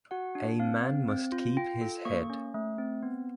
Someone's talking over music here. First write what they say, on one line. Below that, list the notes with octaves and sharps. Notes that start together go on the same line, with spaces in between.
A man must keep his head.
F#4 F#5
D4
C4 F5
C4
C4
F4
F4 G5
A4
A#3 C#6
C#4
A3
C4
B3